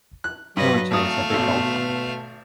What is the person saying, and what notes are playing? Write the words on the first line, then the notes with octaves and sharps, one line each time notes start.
Dougherty is a big golf fan.
F#6
G2 F#3 B4 D#5
G#1 A3 F5 D#6
G#1 B2 A4